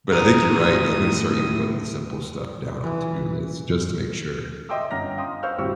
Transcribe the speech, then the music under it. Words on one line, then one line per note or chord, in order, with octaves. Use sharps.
But I think you're right, yeah, I'm gonna start even putting the simple stuff down on to-do lists just to make sure.
A2 A#5 D#6
E3
D#5 E5 G5 C6 D6 E6
G1 C#4 F#5 A#5 F6 A#6
F5 G5 C6 D#6
C5 F5 C#6 E6 F6 G6
D2 A2 G3 C4 C#6 E6